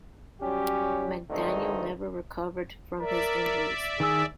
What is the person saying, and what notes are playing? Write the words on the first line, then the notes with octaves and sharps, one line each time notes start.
McDaniel never recovered from his injuries.
F#3 G3 C#4 G4
G#1 G2 D3 A3 C4 D#4
A#4 D5 E5
D#3 G#4 E6